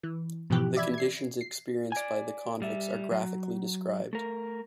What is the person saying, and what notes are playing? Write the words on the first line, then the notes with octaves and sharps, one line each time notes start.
The conditions experienced by the convicts are graphically described.
E3
G#2 B2 E3 F3 G4 F#6
D5 E5 B5 G#6
G#6 C7
C7
D5 G#5
G3 E5
F#3
A3 A#4